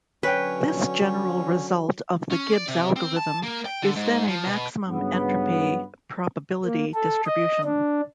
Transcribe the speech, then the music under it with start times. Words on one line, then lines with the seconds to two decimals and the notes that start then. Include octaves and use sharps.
This general result of the Gibbs algorithm is then a maximum entropy probability distribution.
0.23 D3 F#3 C#4 B4 C#5 G5
2.31 C#4
2.53 D5
2.68 C3
2.96 C4
3.16 A5
3.43 A#3
3.65 G5
3.82 D3
3.96 G#2
4.28 F3
4.47 B2
4.88 G2 C#3 F#3 B3
6.65 A#3
6.95 A4
7.26 D#5
7.64 D4